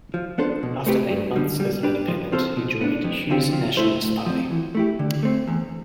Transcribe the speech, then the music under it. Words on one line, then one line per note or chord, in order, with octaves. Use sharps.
After eight months as an independent, he joined Hughes' Nationalist Party.
F3
B3 D4 A4 C5
B2
A3 C4 G4 B4
G2
D3 G3
G3
D4 G4 B4
F3
C4 F4 A4 C5
B2
B3 D4
F2
D3 F3 C4 G4
F3
A3 E4 A4 C5
A2
F3 C4
E3
A3 E4 G4
D3
A3 C4
E2